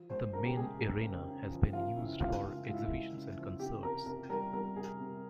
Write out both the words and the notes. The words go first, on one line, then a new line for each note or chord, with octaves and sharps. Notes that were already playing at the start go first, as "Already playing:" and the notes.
The main arena has been used for exhibitions and concerts.
Already playing: F3
G#3 C5
C#3 A#4
G4
G#3 G#4
G#3 G#4
C#3
C#3
F3
F3 F4
C#3 E4
G#3 F4
C#3 F4
G#3 F4
E4
F4
G#3
C#3
F3
C3 G4
C3 A#4
C3 A#4
G3 A#4
G3 A#4
C3 G#4
C3